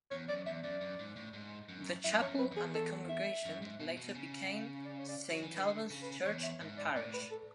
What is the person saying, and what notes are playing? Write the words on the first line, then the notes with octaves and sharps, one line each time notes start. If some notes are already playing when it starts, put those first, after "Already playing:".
The chapel and the congregation later became Saint Alban's Church and Parish.
E2 C#5
F#2 D5
E2 E5
F#2 D5
F#2
G#2
A2
G#2
F#2
F#2 E5
E2 C#5
F#2
B4
E2
G#4
A4
E5
F#2
G#2
B2
B2
C#3
D5
C#5
D5
F#3 C#5
E3
D3 B4
A4
C#3
B4
E2 C#5
E5
G#2
D5
A2 D5
B4
A4